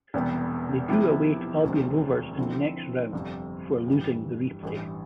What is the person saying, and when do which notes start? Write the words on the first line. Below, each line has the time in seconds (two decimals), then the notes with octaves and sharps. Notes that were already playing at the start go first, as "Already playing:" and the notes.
They drew away to Albion Rovers in the next round, before losing the replay.
0.14 E1 E2 C3 G3 B3
0.88 C3 F3 B3 E4 G4
1.63 E1 D2 C3 F3 C4
2.38 D3 F3 C4 E4 A4
3.12 G1 F2 C3
3.88 G2 E3 G3
4.63 A1 G2 E3